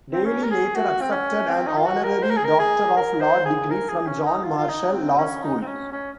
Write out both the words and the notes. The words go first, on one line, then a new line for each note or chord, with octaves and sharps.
Daley later accepted an honorary Doctor of Law degree from John Marshall Law School.
C4
C#4
A#4
G#4
F#4
C4
C#4
C4
D#4
F4
F#4
A#4
C5
A#4
G#4
A#4
G#4
A#4
C5
G#4
A#4
G#4
C#4
D#4
F4
F4
D#4
C4
C#4
D#4
C4
C#4
C#4